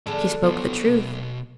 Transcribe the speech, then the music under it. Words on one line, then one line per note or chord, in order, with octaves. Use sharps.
She spoke the truth.
D3 G#4 A4 D5
B1 B2